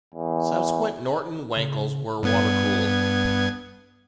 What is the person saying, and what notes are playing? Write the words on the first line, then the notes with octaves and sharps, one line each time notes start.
Subsequent Norton Wankels were water-cooled.
E2
C#3
G2 B3 G#6